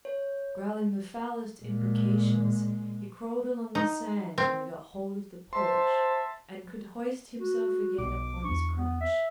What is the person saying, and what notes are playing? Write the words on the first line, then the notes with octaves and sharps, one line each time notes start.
Growling the foulest imprecations, he crawled along the sand till he got hold of the porch and could hoist himself again upon his crutch.
C#5
A#2 G#3
D#4
C4
C5 E5 A5 C6
F#4
B1 B2 D6
E2 D4 C#6
B3
E5